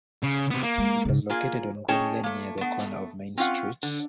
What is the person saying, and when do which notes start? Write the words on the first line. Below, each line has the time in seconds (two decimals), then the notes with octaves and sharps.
It was located on Green Lane near the corner of Main Street.
0.23 C#3
0.50 C3 B3
0.63 A#3
0.78 G#3
1.05 G#2 C#3
1.30 A#3 F4 G#4
1.88 C#4 G#4 C#5 D#5 G5 A5
2.23 A3 A#3
2.58 A3 B3
3.37 C4 C#4 F4 F5 F#5
3.83 D3